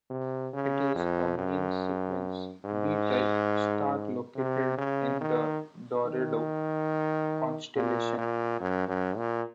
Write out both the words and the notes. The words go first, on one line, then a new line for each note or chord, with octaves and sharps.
It is a main sequence B-type star located in the Dorado constellation.
C3
C#3
F2
F#2
G#2
C3
C#3
D#3
D#3
A#2
A#2
F#2
F#2
A#2